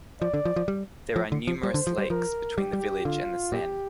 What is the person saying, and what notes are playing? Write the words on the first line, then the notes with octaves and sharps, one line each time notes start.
There are numerous lakes between the village and the Seine.
F3 D5
D3
F3
F3
G3
F3
D3
F3
G3 C5
D3
F3
G3
F3 A#4
G3 G4
G3
D3 F4
A#2 G4